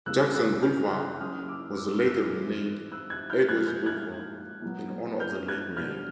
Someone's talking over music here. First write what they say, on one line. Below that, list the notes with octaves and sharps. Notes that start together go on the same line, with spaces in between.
Jackson Boulevard was later renamed Edwards Boulevard in honor of the late mayor.
C#3 E3 G3 A#3 E6 F#6
E6 F#6
F6 G6
F#3 A#3 C#4 E4 D#6 F6
F6
D6 E6
D6 E6
F6
E6 F#6
A2 E3 G3 C4
E6 F#6
F#6 G#6
F6 G6
A#2 F3 G#3 F#6 G#6
F6 G6
F#6 G#6
A#2 F#3 B3
F6 G6
F#6 G#6
B2 G3 B3 D4 F6 G6